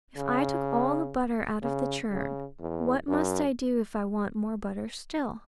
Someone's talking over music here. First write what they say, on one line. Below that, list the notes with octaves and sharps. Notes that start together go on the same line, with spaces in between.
If I took all the butter out of the churn, what must I do if I want more butter still?
C#3
C#3
C#3
E2
F#2